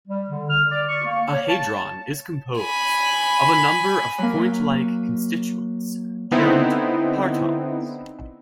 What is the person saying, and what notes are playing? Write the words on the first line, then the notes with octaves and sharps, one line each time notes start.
A hadron is composed of a number of point-like constituents, termed "partons".
G3
D3
F6
D5
C#6
A#3
C#5
A5
G#5 B5
F#3 A#3
D3 B3 C4 D#4 E4